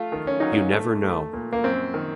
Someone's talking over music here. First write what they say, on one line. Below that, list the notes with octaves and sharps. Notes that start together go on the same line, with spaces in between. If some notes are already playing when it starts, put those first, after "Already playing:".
You never know.
Already playing: A3 F4
D#3
C#4
F#3 D#4
C#4
A3
A3
A#2
A#3
F#2 C4
D#3